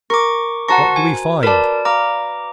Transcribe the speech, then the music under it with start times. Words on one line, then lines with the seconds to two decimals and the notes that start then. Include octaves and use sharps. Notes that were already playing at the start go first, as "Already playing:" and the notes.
What do we find?
0.10 A#4 C#6 D6
0.68 F#4 C5 F#5 A5 A#5 C#6
0.96 G#5
1.43 A#4 B4 D5 A5
1.85 F5 A#5 D6